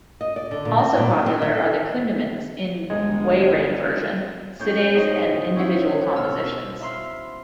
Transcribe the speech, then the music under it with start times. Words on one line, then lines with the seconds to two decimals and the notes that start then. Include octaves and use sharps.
Also popular are the kundimans in Waray version, sidays and individual compositions.
0.21 D#5
0.36 D5
0.51 D3
0.65 A#2
0.79 C4
0.97 A#2
1.10 G3
1.26 C4
1.42 E5
1.55 A4
2.90 G1 G#3
4.59 A2 C#4 G6
4.94 C4 D#4 F#4 C5 D#5
5.56 C#4 E4 C5 E5 F#5
6.16 B2 E6 F6
6.81 E5 B5 C6 F6